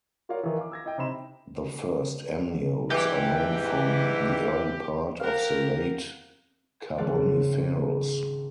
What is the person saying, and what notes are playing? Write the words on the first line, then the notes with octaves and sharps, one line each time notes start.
The first amniotes are known from the early part of the Late Carboniferous.
F4 F#4 A#4 C#5 D5 F5
D#3 E3
F5 D6
E6 G#6 A#6
E4 D#5 G5
C3 D#4 C5 B5 E7
G#2 D3 E3 G4
G4 A#4 F5 F#5
G#1 C#3 F3 D5 F5 F#5